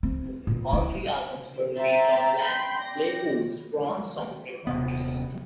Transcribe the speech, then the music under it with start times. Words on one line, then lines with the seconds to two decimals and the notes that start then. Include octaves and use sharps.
All three albums were released on Les Claypool's Prawn Song Records.
0.03 C4
0.47 A#2
0.73 E4
1.75 C5 E5 G5 A#5 A6
2.42 G5 B5 C6 G6 B6
2.78 D5 G5 A#6
4.67 D#1 C3 B3